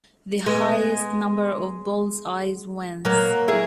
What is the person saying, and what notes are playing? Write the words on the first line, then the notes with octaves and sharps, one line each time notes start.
The highest number of bulls-eyes wins.
G#3 B3
F#3 A#3
E4 G#4